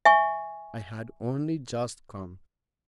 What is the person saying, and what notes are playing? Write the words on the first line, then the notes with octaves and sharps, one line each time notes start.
"I had only just come."
E5 G#5 C#6